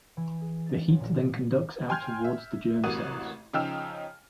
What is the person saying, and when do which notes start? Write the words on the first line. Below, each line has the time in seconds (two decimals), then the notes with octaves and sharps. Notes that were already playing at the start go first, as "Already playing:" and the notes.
The heat then conducts out towards the germ cells.
0.17 E3
0.41 G#4
0.66 A6
0.88 A1
1.00 A#2
1.89 G5 G#5 C6 F6 G6 G#6
2.24 E5
2.84 A1 C3 A#3 F#4 D#6 D#7
3.53 C#3 F3 D#4 G5 E6 F6